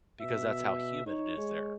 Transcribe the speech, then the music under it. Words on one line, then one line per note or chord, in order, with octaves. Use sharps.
because that's how humid it is there.
B2 E5
D#4 C#5
G#3